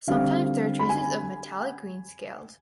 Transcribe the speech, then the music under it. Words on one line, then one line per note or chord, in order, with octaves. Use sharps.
Sometimes there are traces of metallic green scales.
D3 G3 C4 F5
B5
G#5